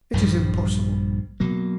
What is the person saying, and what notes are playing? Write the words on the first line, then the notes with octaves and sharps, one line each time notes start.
It is impossible.
A#1 G2 F3 G3
B2 F#3 A#3